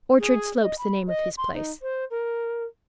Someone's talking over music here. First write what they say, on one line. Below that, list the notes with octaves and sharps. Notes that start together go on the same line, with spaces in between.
Orchard Slope's the name of his place.
G#4
D#5
B5
D#5
C6
D#4
C5
A#4